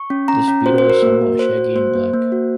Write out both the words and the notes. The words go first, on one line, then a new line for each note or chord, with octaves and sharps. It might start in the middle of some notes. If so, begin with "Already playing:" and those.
This beetle is somewhat shaggy and black.
Already playing: C#6
C#4
C#4 A#5
C#4
F#4 C5
C5
F#4
A#4
A#3
F#4
F#4 C5
F#4
A#3 C5
A#3
A#3
F#4